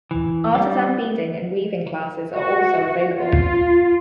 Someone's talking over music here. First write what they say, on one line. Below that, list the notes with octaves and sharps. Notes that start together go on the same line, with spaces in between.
Artisan beading and weaving classes are also available.
E3
G3
F#4
F4